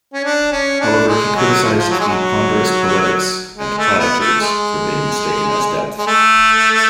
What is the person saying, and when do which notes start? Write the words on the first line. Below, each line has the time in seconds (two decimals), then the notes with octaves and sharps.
However, he criticized the "ponderous poetics...and platitudes" for being mistaken as depth.
0.14 C#4
0.25 D4
0.52 C#4
0.80 D4
1.08 G#3
1.36 F#3
1.64 F3
1.78 F3
1.90 F#3
2.00 G#3
2.09 F#3
3.57 G#3
3.78 A3
3.99 B3
4.20 A3
4.40 G#3
5.98 G#3
6.07 A3